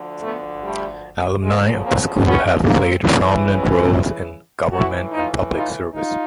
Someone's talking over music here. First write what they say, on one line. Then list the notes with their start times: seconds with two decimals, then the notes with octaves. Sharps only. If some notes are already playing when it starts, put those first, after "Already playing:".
Alumni of the school have played prominent roles in government and public service.
Already playing: D2 D3 F3
0.20 A3 B3
0.61 G3 A3
1.43 D2 C#3 F3 G#3 A#3
1.84 A#3 C4
2.25 B3 C#4
2.66 A#3 C4
3.07 F2 C#3 E3
3.48 B3 C#4
4.72 A2 E3 E4 F#4
5.12 D#4 F4
5.54 D#4 F4
5.94 D#4 F4